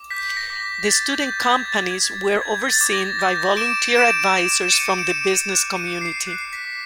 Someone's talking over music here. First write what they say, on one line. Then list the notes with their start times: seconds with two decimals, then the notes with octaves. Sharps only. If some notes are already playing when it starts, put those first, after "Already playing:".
The student companies were overseen by volunteer advisers from the business community.
Already playing: D6
0.10 G6 B6
0.37 A#6
0.50 D6
0.63 A#6
0.88 G6 A6
1.13 G6
1.26 D6
1.39 G#6
1.65 G6 A6
1.91 G#6
2.04 D6
2.41 G6 G#6
2.68 A6
2.81 D6
2.93 A#6
3.19 G6 A#6
3.57 D6 D7 E7
3.95 G6 D7 E7
4.35 D6
4.62 E7
4.72 G6 C#7 D#7
4.98 D7 E7
5.11 D6
5.24 C#7 D#7
5.50 F#6
5.75 C#7 D#7
5.88 D6
6.01 C7
6.27 F#6 C7
6.53 B6
6.65 D6